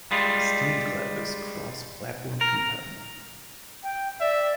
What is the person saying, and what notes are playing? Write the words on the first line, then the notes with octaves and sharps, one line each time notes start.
The Steam Cloud is cross-platform compatible.
G3 G#3 F4
A#4
G5
D5 E5